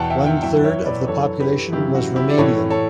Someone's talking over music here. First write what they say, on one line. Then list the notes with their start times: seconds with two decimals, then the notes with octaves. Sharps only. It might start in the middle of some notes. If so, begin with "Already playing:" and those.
One third of the population was Romanian.
Already playing: E2 B2 F#5 G5 A5
0.10 E5 G5
0.26 E5 G5
0.43 F#2 E3 E5 G5
0.64 C#5 E5
0.86 B4 D5
1.01 B4
1.08 F#2 E3 A4 C#5
1.40 G4 B4
1.72 F#2 C#3 E3 E4 G4
1.95 F#4
2.16 E4 G4
2.29 D5
2.38 A2 E3 A4 C#5
2.70 A4 C#5